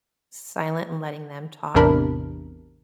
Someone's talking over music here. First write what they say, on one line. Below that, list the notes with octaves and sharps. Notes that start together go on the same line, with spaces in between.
silent and letting them talk
A1 E2 C3 D4 A#4 B5